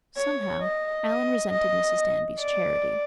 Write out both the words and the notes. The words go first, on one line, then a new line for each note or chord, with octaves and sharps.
Somehow, Alan resented Mrs. Danby's charity.
C#5
D#5
D#5
D#5
D5